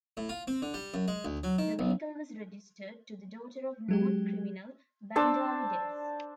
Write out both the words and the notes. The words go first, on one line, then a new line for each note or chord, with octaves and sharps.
The vehicle was registered to the daughter of known criminal, Bandali Debs.
A2
F4
C4
D3
G3
F#2
G#3
D2
F#3
D#3
B1
F#3 G#3 G4
D4 C5 A5 E6